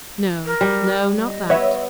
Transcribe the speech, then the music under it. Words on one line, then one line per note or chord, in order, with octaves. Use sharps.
No, no: not that.
A#4
G3
D#5
B3 C#5 E5